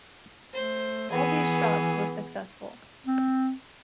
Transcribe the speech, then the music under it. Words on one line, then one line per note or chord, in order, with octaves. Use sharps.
All these shots were successful.
A3 C5
E3 B3 G#4
C4